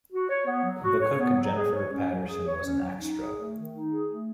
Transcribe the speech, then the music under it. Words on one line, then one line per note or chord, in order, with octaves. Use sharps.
The cook Jennifer Paterson was an extra.
F#4
C#5
B3
F#3
F#4
C#5
B3
F#3
G#4
C#5
C#4
F#3
G#4
C#5
C#4
F#3
D#4
G#4
A3
D#3
D#4
G#4
A3